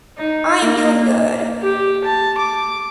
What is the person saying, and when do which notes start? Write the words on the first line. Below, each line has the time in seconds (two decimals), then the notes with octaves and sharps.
I am doing good.
0.18 D#4
0.61 A#3
1.15 A#3
1.62 G4
2.04 A5
2.38 D6